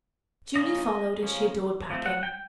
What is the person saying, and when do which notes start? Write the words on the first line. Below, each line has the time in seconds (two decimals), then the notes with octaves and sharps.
Julie followed, as she adored packing.
0.55 C#3 F3 A#3 C#4 D#5
1.22 C#3 F3 A#3 C#4
1.90 F3 A3 C4
2.06 F#5
2.23 G5